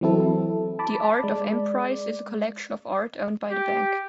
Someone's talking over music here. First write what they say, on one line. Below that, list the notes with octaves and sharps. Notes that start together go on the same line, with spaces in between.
The Art of Emprise is a collection of art owned by the bank.
E3 F#3 C4 E4 A4
A5 B5 D6
G#3 D5
G4